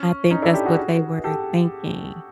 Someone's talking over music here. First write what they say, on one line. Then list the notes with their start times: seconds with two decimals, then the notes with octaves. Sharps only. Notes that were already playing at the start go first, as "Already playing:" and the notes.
I think that's what they were thinking.
Already playing: C#4
0.30 C#4 D#4
0.42 D4 E4
0.54 G4 A4
0.66 F#4 G#4
1.24 G4 A4